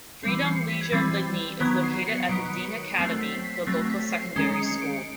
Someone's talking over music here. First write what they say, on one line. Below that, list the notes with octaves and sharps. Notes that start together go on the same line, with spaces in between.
Freedom Leisure Lydney is located at the Dean Academy, the local secondary school.
E3 G3 C4 C7
C#7
C7
B6
G#6
E3 G3 C4 A6
D#3 F#3 B3 G#6
C7
C7
C#7
D#3 F#3 B3 D7
C#7
D7
F#3 A3 C4 C7
B6
C7
B6
F#3 A3 C4 A#6
B6
C7
D#3 G#3 C#4 C7
C#7
C#7
D7